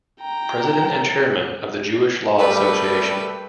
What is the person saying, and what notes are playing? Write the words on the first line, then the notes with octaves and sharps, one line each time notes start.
President and Chairman of the Jewish Law Association.
G5 A#5
G3 A3 A#4 B4